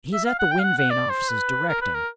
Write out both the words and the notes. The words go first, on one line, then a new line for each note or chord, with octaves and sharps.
He is at the wind-vane offices directing.
E5
F5
F#5
G5
F5
F#5
F#5
D5
C5
B4
A#4
B4
A#4